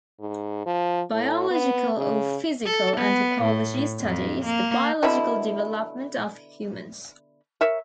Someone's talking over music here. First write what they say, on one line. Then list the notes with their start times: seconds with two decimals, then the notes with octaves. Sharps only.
Biological or physical anthropology studies the biological development of humans.
0.20 G#2
0.66 F3
1.11 A2
1.50 B3
1.97 C#3
2.65 A4
2.97 B3
3.43 A2
4.01 F2
4.45 A#3
5.03 B2 D3 E4 B5
7.61 A#4 C#5 E5